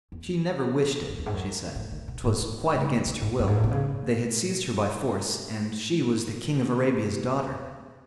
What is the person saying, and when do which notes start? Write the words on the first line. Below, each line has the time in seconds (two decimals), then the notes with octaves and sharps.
She never wished it, she said; 'twas quite against her will. They had seized her by force, and she was the King of Arabia's daughter.
0.12 E2
1.10 F#2
1.18 E2
1.26 G#2
1.34 F#2
1.76 A2
1.91 D#3
2.08 B2
2.24 G#2
2.41 E3
2.74 C#3
3.06 B2
3.22 G#2
3.39 F#2
3.47 G#2
3.56 A2
3.64 B2
3.71 C#3